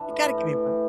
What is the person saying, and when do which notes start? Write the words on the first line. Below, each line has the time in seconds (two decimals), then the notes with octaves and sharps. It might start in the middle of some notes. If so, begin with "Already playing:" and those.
You gotta give me one.
Already playing: E3 D4
0.09 A2
0.23 A2 E4
0.37 E3 G5
0.53 E3
0.67 A2